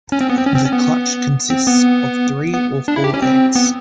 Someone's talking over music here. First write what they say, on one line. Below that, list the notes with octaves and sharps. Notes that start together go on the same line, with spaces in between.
The clutch consists of three or four eggs.
C#4
C4
B3
C4
C#4
C4
C#4
B3
C4
B3
B3
D4
E4
G4
C#4
C4
B3